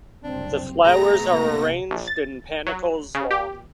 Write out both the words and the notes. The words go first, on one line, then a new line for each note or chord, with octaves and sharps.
The flowers are arranged in panicles long.
F#1 C2 C4 D4
B2 A3 G#4 A#5 A#6
C3 A#3
A#1
A6
F#3
C#3
G4